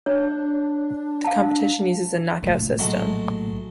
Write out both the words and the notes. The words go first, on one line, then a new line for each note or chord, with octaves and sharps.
The competition uses a knock-out system.
D4 C#5
F5 A5
A#1 A2
F#3 G#3 A3